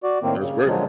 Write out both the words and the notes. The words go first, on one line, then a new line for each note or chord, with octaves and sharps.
that's great.
F#4 D5
A2 D#3 A#3 C4
C#3
A#2 D3 F3 F#3 G#3